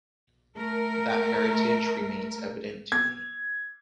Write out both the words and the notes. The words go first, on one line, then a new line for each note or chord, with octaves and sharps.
That heritage remains evident today.
A3 A#4
G#6